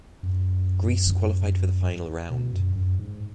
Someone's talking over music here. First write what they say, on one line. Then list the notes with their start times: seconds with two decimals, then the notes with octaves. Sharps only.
Greece qualified for the final round.
0.23 F#2
2.30 B2
2.53 F#2
2.76 F#2
2.99 G#2